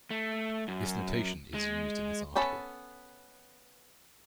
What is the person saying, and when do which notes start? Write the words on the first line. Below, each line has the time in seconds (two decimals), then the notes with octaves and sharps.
This notation is used in this article.
0.11 A3
0.68 F#2
1.54 G#3
2.35 B3 C#4 A4 A5 B5